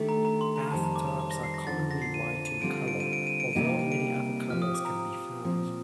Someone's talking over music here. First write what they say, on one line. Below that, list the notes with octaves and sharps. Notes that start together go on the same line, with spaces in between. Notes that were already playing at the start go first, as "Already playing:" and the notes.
Bathtubs are commonly white in colour although many other colours can be found.
Already playing: D#3 A3 D4 G4
A#5
A#5
C6
A#5
F2 D#3 G3 A5
A#5
D6
A#5
D6
A#6
C7
A#6
F2 D3 F3 A6
A#6
C7
D#7
D#7
D#7
D3 G3 C4 F4 D7
D#7
D7
D#7
D7
D#7
D7
C3 G3 A#3 D#4 G4 D#7
D7
D#7
D7
F3 C4 G4 F6
D#6
D6
A#5
A#2 F3 C4